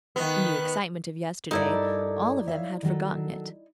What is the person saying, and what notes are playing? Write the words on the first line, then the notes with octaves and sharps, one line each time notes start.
In the excitement of yesterday all of them had forgotten it.
D#3 B3 F#6
G2 D#4 E4 A4 A#4 D5
C#5 E5 F5
D#3 F#3 A4